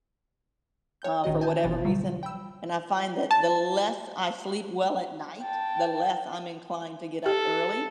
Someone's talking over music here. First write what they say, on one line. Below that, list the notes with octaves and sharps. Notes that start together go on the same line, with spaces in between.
uh, for whatever reason, and I find that the less I sleep well at night, the less I'm inclined to get up early,
C#5 G6
A#1 D#3 F#4 D#5
D#5 G#5 A5 G6
G1 C2 B2 E3 A6
D3 E3 F#3 G3
G5 B5 E6
A5
G5 A5
G4 A4